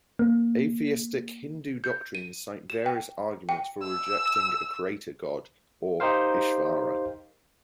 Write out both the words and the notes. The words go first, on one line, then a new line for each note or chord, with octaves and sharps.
Atheistic Hindu doctrines cite various arguments for rejecting a creator God or "Ishvara".
A#3
G6
D#7
E7
G5
G5
E6
D#4 G4 A#4 C5 F5